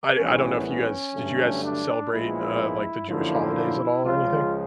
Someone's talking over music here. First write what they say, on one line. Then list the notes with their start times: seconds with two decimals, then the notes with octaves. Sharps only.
I I don't know if you guys did you guys celebrate, uh, like, the Jewish holidays at all or anything?
0.17 A#1 A2 E3 G3 B3 C#4
0.65 C#4
1.14 G2 D3 F#3 A3
1.62 D4
2.11 A#1 A#2 F3 G#3 B3 E4
3.08 F#2 D3 F3 A#3 E4
4.04 C#2 C#3 F3 G#3 F4